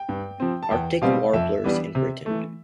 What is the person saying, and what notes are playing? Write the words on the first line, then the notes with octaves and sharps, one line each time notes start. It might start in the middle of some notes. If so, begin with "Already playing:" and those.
Arctic warblers in Britain.
Already playing: G5
G2
F3 C4
A5
E2 G5
B2 G3 C4 F5
F2 E5
E3 G3 B3 D4
C3
E3 A3